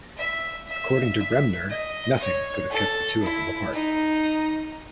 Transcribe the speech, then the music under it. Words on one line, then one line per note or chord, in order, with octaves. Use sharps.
According to Bremner, Nothing could have kept the two of them apart.
E5
E5
E5
D#5
C#5
A4
E4
D#4